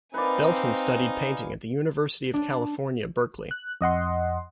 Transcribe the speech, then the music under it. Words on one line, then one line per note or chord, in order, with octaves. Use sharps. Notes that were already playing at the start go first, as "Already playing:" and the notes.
Belson studied painting at the University of California, Berkeley.
C4 D#4 B4 D5 F5 G#5
D4
F#6
F2 D#5 F#5 C6